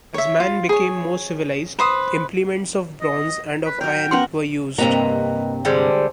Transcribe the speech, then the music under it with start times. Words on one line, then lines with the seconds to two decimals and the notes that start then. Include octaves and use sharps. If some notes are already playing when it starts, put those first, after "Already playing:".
As man became more civilized, implements of bronze and of iron were used.
0.14 C#5 E5
0.40 F4
0.69 G#4 C#5
1.79 B4 C5 D#6
3.01 D#5
3.65 B4
3.81 F#3 A#4 G5
4.11 B3 C#4 A#4 F#5 C6
4.78 G2 C3 A#3 C4 B4 D#5 F#5 A#5
5.65 A#1 D3 G3 G#3 G4 C5